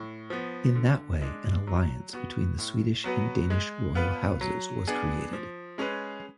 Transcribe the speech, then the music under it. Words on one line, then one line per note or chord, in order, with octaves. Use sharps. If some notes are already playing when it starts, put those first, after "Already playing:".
In that way an alliance between the Swedish and Danish royal houses was created.
Already playing: A2
F3 B3
D3
G#3 D4
F#3
B3 F#4
A2
F#3 B3 F#4 B4
G#3
B3 F4 B4
F#3
B3 D4 G#4
F3
G#3 C#4 G#4 B4